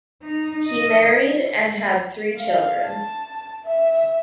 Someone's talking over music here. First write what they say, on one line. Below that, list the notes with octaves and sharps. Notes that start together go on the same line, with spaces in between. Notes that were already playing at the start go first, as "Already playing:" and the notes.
He married and had three children.
D#4
D#5
F5
A5
E5